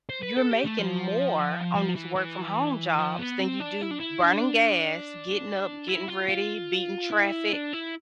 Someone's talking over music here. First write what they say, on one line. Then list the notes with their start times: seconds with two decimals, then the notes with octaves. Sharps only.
you're making more on these work from home jobs than you do burning gas, getting up, getting ready, beating traffic.
0.09 C5
0.23 B4
0.37 A4
0.51 G4
0.64 A3
0.78 F3
1.75 F3
1.95 E3
2.15 E3
2.99 F3
3.19 B3
3.39 C4
3.60 D4
3.81 E4
3.91 D4
4.00 E4
4.23 D4
5.88 E4
6.08 F4
6.29 F4
7.11 E4
7.52 D4
7.73 E4